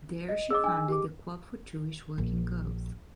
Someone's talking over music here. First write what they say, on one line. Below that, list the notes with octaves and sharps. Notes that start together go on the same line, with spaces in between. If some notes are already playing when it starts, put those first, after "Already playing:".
There she founded the Club for Jewish Working Girls.
D#5
G#4 D#5 D6 E6
D4 G#5 E6
G4 D6
A#1